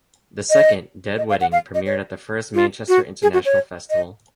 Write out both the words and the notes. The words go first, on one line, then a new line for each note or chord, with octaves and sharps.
The second, "Dead Wedding" premiered at the first Manchester International Festival.
D#5
D#5
F5
F#5
F5
D#5
C#5
F4
F#4
G#4
F#4
C#5
D#5